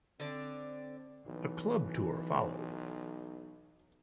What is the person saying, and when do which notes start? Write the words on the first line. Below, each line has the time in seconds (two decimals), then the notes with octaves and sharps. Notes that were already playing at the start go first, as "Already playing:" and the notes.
A club tour followed.
0.20 D3 C4 D4 D5
1.27 B1 E3